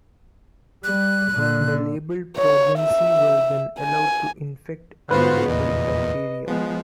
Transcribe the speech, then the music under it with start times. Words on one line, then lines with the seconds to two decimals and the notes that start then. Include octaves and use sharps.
The labeled progeny were then allowed to infect unlabeled bacteria.
0.84 G3 F#6
1.31 A#2 D3
2.37 C#5
2.79 E5
3.80 G#5
5.11 G#2 B3 F4 F#4 B4 C5
5.48 E2 A#2 D#5
6.47 F3 G#3 B3